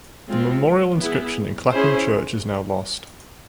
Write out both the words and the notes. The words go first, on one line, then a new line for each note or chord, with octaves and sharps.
The memorial inscription in Clapham church is now lost.
G#3 C4 F4
B3 E4 G#4
C#4 E4 G#4 C5